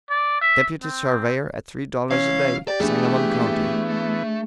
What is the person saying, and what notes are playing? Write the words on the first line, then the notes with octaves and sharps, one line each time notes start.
Deputy surveyor, at three dollars a day, Sangamon County.
D5
E5
C4
E3 C#4 F5
G4 D5
E3 A3 B3 D4 G#4